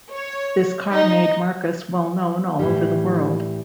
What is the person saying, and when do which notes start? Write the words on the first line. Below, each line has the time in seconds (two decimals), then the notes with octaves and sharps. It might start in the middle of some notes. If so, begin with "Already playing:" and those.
This car made Marcus well-known all over the world.
0.13 C#5
0.92 D#4
2.59 A2 E3 G3